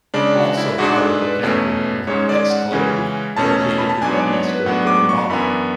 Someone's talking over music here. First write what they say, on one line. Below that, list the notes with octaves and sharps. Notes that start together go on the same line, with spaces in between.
Also part of the County was an exclave located to the east of Villmar.
C#3 G#3 D4 D5
F#4
E4
G#2 G#3 D4 F#4
A4
B4
E2 B2 A3 C#4
G#2 G#3 C#4 C#5
D5
F#5
C#3 E3 G#3 C#4
E2 B2 A3 C#4 A5
B5
A5
G#2 F#3 B3 D4 G#5
C#5
D5
C#5
B4
A2 F#3 B3 D4 F#5
D6
C#6
F#2 E3 B3 D4 B5